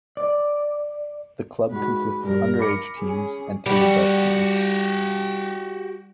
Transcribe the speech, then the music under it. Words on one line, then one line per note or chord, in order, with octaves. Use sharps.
The club consists of underage teams and two adult teams.
D5
G#2 F#4 B4
G2 A#4
B5 D6 C#7
C#4 G#4
G3 F#4 G4